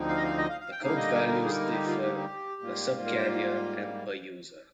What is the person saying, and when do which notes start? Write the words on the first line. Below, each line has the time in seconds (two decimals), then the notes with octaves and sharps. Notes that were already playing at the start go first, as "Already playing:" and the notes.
The code values differ per subcarrier and per user.
Already playing: D2 D3 F3 C4 D#4
0.09 F5
0.17 D#5
0.23 F5
0.38 D#5
0.49 F5
0.61 F5
0.72 G5
0.83 D3 G3 A#3 D#4 F5
0.97 D#5
1.12 A#4
1.27 A#4
1.45 G#4
1.49 A#4
1.72 G4
1.87 F4
2.02 G4
2.17 G4
2.61 G#2 G3 A#3 F4
3.06 A#4
3.17 C5